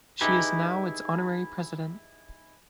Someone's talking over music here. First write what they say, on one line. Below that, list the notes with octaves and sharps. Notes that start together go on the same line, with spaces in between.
She is now its Honorary President.
D#4 E4 G4 G#4 B4